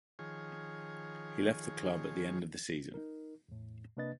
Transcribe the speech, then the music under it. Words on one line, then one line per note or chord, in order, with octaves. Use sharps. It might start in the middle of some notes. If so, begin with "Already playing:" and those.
He left the club at the end of the season.
D#3 F3 G#4 C#5
D#4 A#4
E2 A2
C3 A#3 D4 B4 D#5 A6